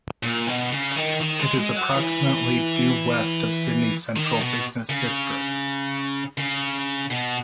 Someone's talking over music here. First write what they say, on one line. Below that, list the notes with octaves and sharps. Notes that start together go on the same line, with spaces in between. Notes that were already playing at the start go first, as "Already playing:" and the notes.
It is approximately due west of Sydney's central business district.
A#2
B2
C#3
D#3
D#3
G#3
G#3
F#3
E3
D#3
B2
C#3
C#3
B2